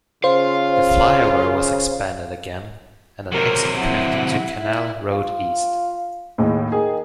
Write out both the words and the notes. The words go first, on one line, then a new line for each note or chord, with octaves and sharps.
The flyover was expanded again and an exit connected to Canal Road East.
C#3 F4 C5 F5
C3 F#3 A#4
E4 F#5
E4
F4
D#2 A2 G#3
D#3 G#4